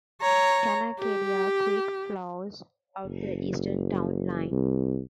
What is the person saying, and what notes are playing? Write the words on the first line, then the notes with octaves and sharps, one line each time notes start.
Canacadea Creek flows out the eastern town line.
C#5 A#5
G4
F#1
C2